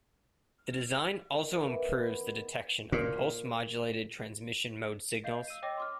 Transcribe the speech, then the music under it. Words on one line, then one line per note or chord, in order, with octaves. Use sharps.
The design also improves the detection of pulse-modulated transmission mode signals.
D#3 C6
D#3 E3 B3 D#4
A#2
D#5 F5 G6 C7
E6 D#7
C#5 D#5 G5 D6 E6 A#6
C6 D6 F6